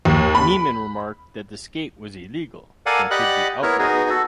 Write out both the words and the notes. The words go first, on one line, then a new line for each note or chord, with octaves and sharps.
Niemann remarked that the skate was illegal, and should be outlawed.
D#2
B5
A4 A#4 D5 F5 F#5 G#5
G4 D5 D#5 F#5 B5 F#6
B3 E4 A#4 C#5
B3 D#4 F#4 G#4
F#4 A4